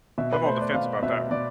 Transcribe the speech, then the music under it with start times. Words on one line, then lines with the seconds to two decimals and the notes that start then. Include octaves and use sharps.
I'm on the fence about that one.
0.18 B2 E5
0.32 B4
0.46 A3 C5
0.61 D5
0.74 B2 F5
1.03 B2 E5
1.31 B2 D5